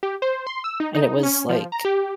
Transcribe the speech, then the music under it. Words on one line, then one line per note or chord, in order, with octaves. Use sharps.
and it was like,
G4
C5
C6
E6
D#4
D#4
C#4
F3
A#5
G4